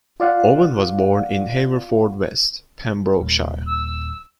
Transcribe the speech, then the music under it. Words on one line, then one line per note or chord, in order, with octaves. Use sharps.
Owen was born in Haverfordwest, Pembrokeshire.
F4 D5 F5 F#5
D#1 D#2 G3
E6